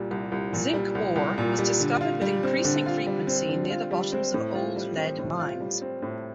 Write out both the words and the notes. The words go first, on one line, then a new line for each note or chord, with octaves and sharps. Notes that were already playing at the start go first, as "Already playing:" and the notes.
Zinc ore was discovered with increasing frequency near the bottoms of old lead mines.
Already playing: C2 A#2 G3
C2
C2
A#2
G3
C2
C2
A#2
G3
D3
F4
G3
C4
D3
F4
G3
C4
D3
F4
G3
C4
A2
F4
G3
C4
A2
F4
G3
C4
A2